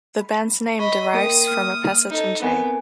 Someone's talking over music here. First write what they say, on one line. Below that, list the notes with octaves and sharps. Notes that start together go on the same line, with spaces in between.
The band's name derives from a passage in J.
B5
D#5 B5 C#6
A#3 A#4 G5 D#6
A#3 F6
D#4 A4
B3 C4 A#4 G#5